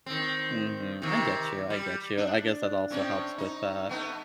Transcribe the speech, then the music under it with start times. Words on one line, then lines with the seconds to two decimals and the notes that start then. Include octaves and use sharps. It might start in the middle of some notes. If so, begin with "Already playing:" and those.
Mhm, I get you; I get you. I guess that also helps with, uh,
0.06 D#3 C4
1.02 C3 D#3
1.70 G3
2.17 D4
2.91 A2 C4 C#4
3.38 D#4
3.89 A3 B3 D#4